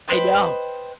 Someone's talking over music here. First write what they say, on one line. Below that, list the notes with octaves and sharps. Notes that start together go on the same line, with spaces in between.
I know.
B4 C5 D#5 G5